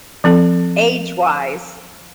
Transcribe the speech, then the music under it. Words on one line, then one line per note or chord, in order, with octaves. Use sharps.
age wise
F3 C4 A4